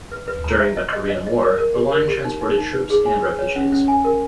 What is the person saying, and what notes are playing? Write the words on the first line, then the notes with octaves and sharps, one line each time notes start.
During the Korean War, the line transported troops and refugees.
B4
B4
A#5
E5
D#5
D#5
D#5
D#5
A#4
A#4
G4
A#4
G4
D#4
D#4
D#4
B4
G#4
G#5
B4
C#5
C#4
C#4
G#5
A#4